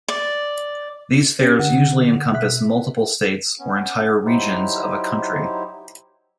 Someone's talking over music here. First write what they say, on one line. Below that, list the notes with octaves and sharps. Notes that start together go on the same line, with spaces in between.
These fairs usually encompass multiple states or entire regions of a country.
D5
C#4 G4
D3 F#5
B2 E5 F#6 B6
B3 C#4
F#3 D#4 E4 G4 C5